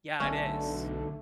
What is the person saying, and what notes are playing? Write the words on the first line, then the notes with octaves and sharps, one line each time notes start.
Yeah, it is.
B1 D3 A3 C#4